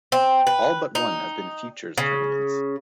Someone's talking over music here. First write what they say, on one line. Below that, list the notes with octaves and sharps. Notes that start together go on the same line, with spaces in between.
All but one have been Futures tournaments.
C4
B4
D#4
C#3